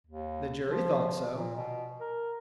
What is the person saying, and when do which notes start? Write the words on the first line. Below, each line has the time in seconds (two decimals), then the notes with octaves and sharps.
"The jury thought so."
0.07 D#2
0.67 F3
1.34 A#2
1.55 B2
2.00 A#4